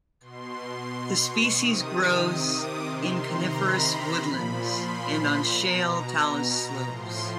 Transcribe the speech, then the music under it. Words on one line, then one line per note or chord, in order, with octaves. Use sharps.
The species grows in coniferous woodlands and on shale talus slopes.
B2 C6
C6
C#6
C3 D#3 D#6
D6
C3 D#3 C6
A#5
B5
A#2 F3
C6
C6
C6
B2 A#5
A#5
A2 F3 C6